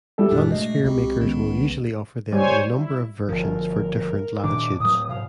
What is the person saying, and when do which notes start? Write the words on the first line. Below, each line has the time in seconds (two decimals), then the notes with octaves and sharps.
Planisphere makers will usually offer them in a number of versions for different latitudes.
0.18 G3 E4 A4
0.31 F#2 A#2 G#3 D4 F#4 G#4
0.52 B2 A3 D#5
0.85 C2 C4 G4
1.19 C2 D#3 G#3 B3 C#4
2.32 G3 C5 C#5 G#5
2.71 E4
3.29 G1 F3 A#4
4.44 A#2 D#3 D4 D6
4.80 A2 F#3 D#6
5.09 G#2 B2 F5